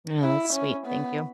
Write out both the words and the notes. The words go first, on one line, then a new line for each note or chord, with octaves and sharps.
Oh, that's sweet, thank you.
E4
C#4
B3